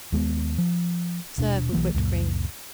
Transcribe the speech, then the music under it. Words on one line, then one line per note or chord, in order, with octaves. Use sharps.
Serve with whipped cream.
D#2 G#3 A#3 B3
F3
D#1 B2 D4
B1 E3 F#3 A#3
C#2 F#2 A#2